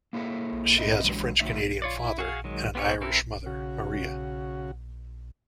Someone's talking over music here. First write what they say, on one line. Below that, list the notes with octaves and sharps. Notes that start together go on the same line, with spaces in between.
She has a French-Canadian father and an Irish mother, Maria.
A#3 E4 G#4 A4 E5
C4 D#4 D#5 E5
D3 E3 F#3 G#3
F2 D3 F#3 A3 D#4 E5
F4 C#5 D5
E4
F#4 G#4 F5
D#3 F#3 G#3
B3 F4 G4 A4 C#5
C4 E4 A4 A#4
C#3 F#4